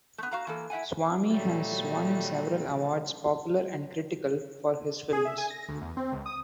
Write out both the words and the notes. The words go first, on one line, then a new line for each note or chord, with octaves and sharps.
Swamy has won several awards, popular and critical, for his films.
A3 B3
F#4 F5 A#5
E3 A#3 A4
E4 E5 F#5 G#5
A#2 D#3 F#3 G3 A3
G#4
E5
G#5
A#6
D2
E2
C4
C#2
D#6